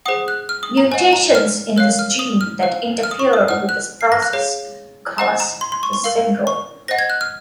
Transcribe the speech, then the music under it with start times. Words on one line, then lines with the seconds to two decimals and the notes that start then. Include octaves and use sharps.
Mutations in this gene that interfere with this process cause this syndrome.
0.06 G#4 C5 F#5 D#6
0.28 F#6
0.49 F6
0.63 D#6
0.77 A#5
0.91 C5 D#5 F#5 G#5
1.13 A#5
1.35 F6
1.76 A#4 C#5 F5 F#6
1.99 F6
2.19 D#6
2.41 F6
2.63 C5 F5
3.03 F6
3.11 D#6
3.19 C#6
3.33 D#6
3.48 C5 F#5 F6
3.69 F#6
4.01 C7
4.12 A#6
4.22 F#6
4.33 G#4 C#5 F5
5.18 C5 D#5 F#5 A#5
5.40 A#5
5.61 C6
5.72 C6
5.83 C#6
5.93 C#6
6.04 A#4 F5
6.47 C#6
6.88 C5 D#5 F#5 A#6
6.99 G#6
7.10 F#6
7.21 F6